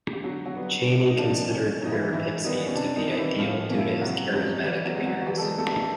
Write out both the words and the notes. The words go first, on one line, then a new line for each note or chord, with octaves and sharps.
Cheney considered Piripitzi to be ideal due to his charismatic appearance.
G4
D3 F#3 F#4
F#3 F#4
G3 B3
C3
D#4
F3 A#3 D4
A#2 C#4
F#3 A#3 D#4
E3 E4
E3 E4
D#3 G3 B3 D#4
C#4
C3 D4
D#3 D#4
E3 G3 B3
E3 E4
A2 F3 F4
F3 A#3 C#4
E4
F4
C3 F#3 F#4
F3 G3 G#3 C#4 G4
E3 G3 G4
F#3 F#4
G#3 C4
F#3 F#4
F#4
E3 G3 G4
A4
G#3 G#4
G3 A3 B3 A4
A3 A4